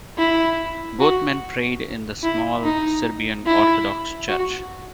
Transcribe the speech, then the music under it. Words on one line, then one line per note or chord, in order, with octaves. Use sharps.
Both men prayed in the small Serbian Orthodox church.
E4
F#4
E4
D#4
E4
F#4